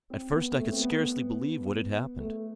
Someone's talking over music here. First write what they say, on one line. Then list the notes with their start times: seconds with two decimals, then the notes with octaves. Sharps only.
At first I could scarcely believe what had happened.
0.10 C4
0.32 B3
0.57 A3
0.72 C4
0.79 B3
2.20 A3